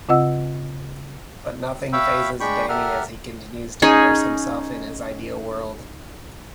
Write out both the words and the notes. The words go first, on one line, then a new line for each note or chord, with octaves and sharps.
But nothing fazes Danny as he continues to immerse himself in his ideal world.
C#3 C4 F4 D#5 F#5 E6
C#5 E5 F5 G5 B5 E6
G#3 D4 G5 B5 C#6
G4 A4 A#4 E5 F#5 F6
C#4 D#4 G#4